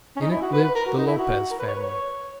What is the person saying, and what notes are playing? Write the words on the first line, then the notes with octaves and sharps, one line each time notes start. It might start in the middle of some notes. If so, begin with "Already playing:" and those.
In it lived the Lopez family.
C#4
D#4
E4
F#4
B4
B4
A#4
F#4
D#4
E4
F#4
A#4
B4
C#5
B4
C#5